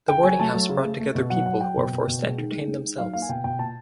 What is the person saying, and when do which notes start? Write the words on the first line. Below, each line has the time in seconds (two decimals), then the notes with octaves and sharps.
The boarding house brought together people who are forced to entertain themselves.
0.09 C#3 G5
0.23 F#3 G#5
0.39 A3 A5
0.54 F#3
0.69 C#3
0.85 A3
1.00 A3
1.15 B2
1.30 F#3 F#5
1.46 F#3 F#5
1.61 F#3 G5
1.77 B2
1.92 B2
2.07 B2
2.23 G#3
2.38 D#3
2.52 G#3
2.67 G#3
2.83 D#3
2.98 F#3 F5
3.13 A#3 F5
3.22 G#5
3.29 B2 G5
3.44 B2 G5
3.59 A#2 A5